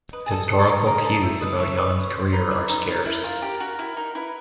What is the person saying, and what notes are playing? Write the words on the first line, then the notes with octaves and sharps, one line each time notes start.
Historical clues about Yan's career are scarce.
B4 D#5
G#4
A4
A4
A#4
A#4
A4
E5
B4 D#5
C#5 E5
B4 D#5
C#5
C5
D#4 B4
E4
D#4
D#4 A#4
E4
F4
G4
F#4
E4
D#4 A#4
E4 B4